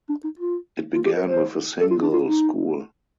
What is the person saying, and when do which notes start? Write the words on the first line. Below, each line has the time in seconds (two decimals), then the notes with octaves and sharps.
It began with a single school.
0.10 D4
0.24 D#4
0.39 F4
0.95 F4
1.05 G4
1.17 A#4
1.27 C5
1.80 A4
1.91 F4
2.02 D4
2.13 F4
2.24 D#4